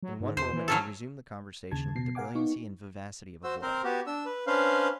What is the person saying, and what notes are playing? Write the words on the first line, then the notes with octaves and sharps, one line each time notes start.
In one moment he resumed the conversation with the brilliancy and vivacity of a boy.
F#3
G#2
E2 C5
E3
F#3 C#4 A4
D#2 C#3 A5 G#6
B2 C7
A#4 F5 F#5 G#5 D6
B3 D#4 C#6
F#4 C5 E6
C4 A#4 C5
B3 F#4 G4
D4 E6
B4
C#4 D4 B4 C5 F5